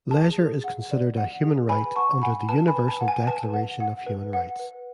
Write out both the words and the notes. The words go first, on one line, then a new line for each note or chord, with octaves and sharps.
Leisure is considered a human right under the Universal Declaration of Human Rights.
G#4 A5
G#4
F#5
D5
F#5
G#4
B4 G#5 B5
F#5 A5 C#6
F#5 G#5 B5
B4 A5
G#5 B5
B4
A5
F#5
G#5
B4 A5
F#5
F#5
B4
F#5
B4